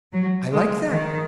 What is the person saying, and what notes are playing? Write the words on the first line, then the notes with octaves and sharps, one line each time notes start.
I like that.
F#3
G#3
D#3